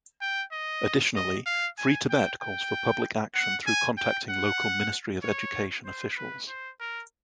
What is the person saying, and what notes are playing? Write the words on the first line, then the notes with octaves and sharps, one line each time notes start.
Additionally, Free Tibet calls for public action through contacting local Ministry of Education officials.
G5
D#5
D#5
F5
G#5
G5
G5
F#5
G#5
G5
F#5
C#5
C5
B4
C5
A#4